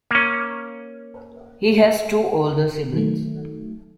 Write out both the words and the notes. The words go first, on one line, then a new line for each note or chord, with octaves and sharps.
He has two older siblings.
A#3 C#4
D#3 F#3 A3